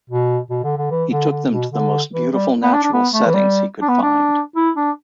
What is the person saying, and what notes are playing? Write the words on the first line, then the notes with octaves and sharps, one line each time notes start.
He took them to the most beautiful natural settings he could find.
B2
B2
D3
D3
E3
D3
D3
B2
D3
E3
G3
B3
D4
D4
B3
A3
E3
G3
D4
B3
D4
E4
D4